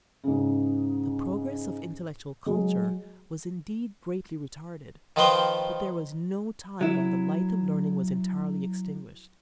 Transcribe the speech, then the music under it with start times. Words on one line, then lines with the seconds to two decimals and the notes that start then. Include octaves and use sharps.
The progress of intellectual culture was, indeed, greatly retarded, but there was no time when the light of learning was entirely extinguished.
0.24 G#2 C#3
2.46 F#3 G#3
5.16 D#3 F3 D#4 B4 C5 G5
6.81 F#3 E4